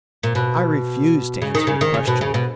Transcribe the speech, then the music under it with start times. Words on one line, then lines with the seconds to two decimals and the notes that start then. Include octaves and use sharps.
I refused to answer the question.
0.23 A#2
0.35 B2
1.42 C#3
1.55 D#3
1.67 C#3
1.81 D#3
1.94 C#3
2.07 B2
2.21 C#3
2.34 B2